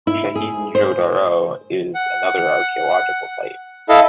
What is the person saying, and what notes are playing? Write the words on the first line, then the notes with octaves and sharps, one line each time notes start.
Chaheen Jo Daro is another archaeological site.
E4
G#4
C5
F#5
E4 A4 D#5 F5